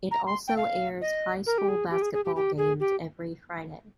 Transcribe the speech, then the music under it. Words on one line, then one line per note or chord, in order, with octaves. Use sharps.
It also airs high school basketball games every Friday.
A#5
C6
G5
F5
D#5
A#4
G4
G#4
G4
G#4
G#4
G4
G4
G#4
G4